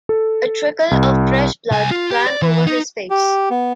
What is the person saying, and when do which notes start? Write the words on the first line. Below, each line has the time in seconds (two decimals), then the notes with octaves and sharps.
A trickle of fresh blood ran over his face.
0.09 A4
0.91 C2
1.71 C2 G#5
1.91 F4
2.11 G4
2.27 D5
2.42 E3
2.67 D#4
3.10 G4
3.51 B3